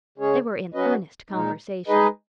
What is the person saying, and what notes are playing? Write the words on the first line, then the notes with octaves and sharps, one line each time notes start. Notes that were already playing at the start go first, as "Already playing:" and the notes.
They were in earnest conversation.
C#3 G#3 C#4 G#4 C#5
F#3 C#4 F#4 B4 D#5
A#2 G#3 D#4
G#3 D#4 G#4 B4 D#5